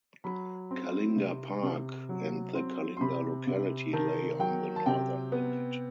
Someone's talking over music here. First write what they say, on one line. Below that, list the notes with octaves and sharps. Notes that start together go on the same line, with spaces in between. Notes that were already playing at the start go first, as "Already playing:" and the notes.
Kalinga Park and the Kalinga locality lay on the northern limit.
F#3 B5
C4
C3
C3
F#3
C4
C6
C3 B5
C3
D#3 A5
F#3 G5
A5
C3 G5
B3